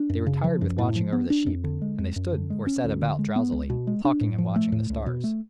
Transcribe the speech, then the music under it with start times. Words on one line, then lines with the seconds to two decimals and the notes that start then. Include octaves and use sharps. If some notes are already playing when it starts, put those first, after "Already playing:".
They were tired with watching over the sheep, and they stood or sat about, drowsily, talking and watching the stars.
Already playing: D4
0.10 F#2
0.26 C#3
0.44 F3
0.61 F#2
0.78 A2
0.96 F3
1.13 B3
1.30 D4
1.46 F2
1.64 D3
1.82 G#3
1.99 F2
2.16 F#2
2.32 D3
2.50 G#3
2.67 C#4
2.84 D2
3.02 D3
3.19 G#3
3.36 B3
3.52 C#2
3.70 B2
3.87 G#3
4.05 D4
4.21 A2
4.38 F3
4.56 A3
4.72 A2
4.90 C#2
5.06 B2
5.24 A3